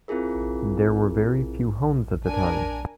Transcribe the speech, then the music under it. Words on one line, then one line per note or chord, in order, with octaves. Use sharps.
There were very few homes at the time.
C4 E4 F4 G#4 A#4
D4 A#4 G#5